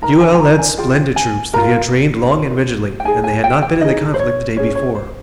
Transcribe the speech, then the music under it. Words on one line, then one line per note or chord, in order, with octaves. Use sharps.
Buell led splendid troops that he had trained long and rigidly, and they had not been in the conflict the day before.
D#4 A#4 A#5
G#5
G#5
A#5
G#5
F4 G#4 G5
G#5
F4 A#4 A#5
F4 A#4
G5
D#4 G#4 G#5
G#5
G5
G5
D#4 G#4 D#5
C5
C#5
C#4 G#4 C#5
C#5
C5